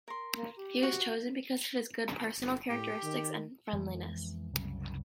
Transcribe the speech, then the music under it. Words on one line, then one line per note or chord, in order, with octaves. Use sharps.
He was chosen because of his good personal characteristics and friendliness.
A#4 C6
A#3
G4
F#4
G1
A2 G4
D#3
F2 E3 G#3 B3
C2 F#2 C#3 F#3